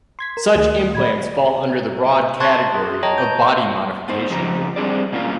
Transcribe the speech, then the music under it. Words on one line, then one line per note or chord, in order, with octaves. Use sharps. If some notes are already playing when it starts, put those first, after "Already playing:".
Such implants fall under the broad category of body modification.
C6 G#6 B6
A#4
D2 D#3 A3 G#4 D#5
A#2 D5 B5 G#6
A5 C6 C#6 F#6 G#6 A6
G#4
C#5 D#5 G5 A5 A#5
G6
B3 D#4 C5
F2 C#3 F3 D#4 G4 A#5
G3 C4 D4 G#4 D5
B2 A#3 C#4 D4 F4 F5